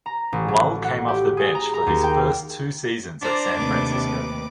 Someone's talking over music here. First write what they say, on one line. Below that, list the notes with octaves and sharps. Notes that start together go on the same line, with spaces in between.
Lull came off the bench for his first two seasons at San Francisco.
A#5
A1
F#3
F#5
G4
G#4
A#5
A#5
D#2
G5
D4 C5 D5 A#5
D#2 C3 A3 B4 D6